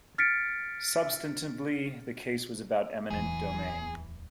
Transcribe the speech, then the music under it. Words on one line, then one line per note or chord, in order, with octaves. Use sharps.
Substantively, the case was about eminent domain.
F6 A6 B6 C#7 D7
D1 E2 E3 G#4